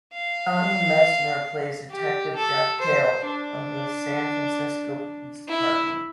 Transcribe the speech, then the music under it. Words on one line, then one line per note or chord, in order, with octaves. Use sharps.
Johnny Messner plays Detective Jack Hale of the San Francisco Police Department.
F5
G4
A4
C5
D4
E4